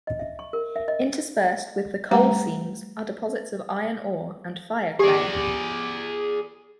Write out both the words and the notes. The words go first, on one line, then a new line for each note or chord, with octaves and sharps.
Interspersed with the coal seams are deposits of iron ore and fireclay.
D#5
E5
C#6
A#4
E5
D#5
G3 A3 G4 B4 F#5 A#5
G4 G#4 D5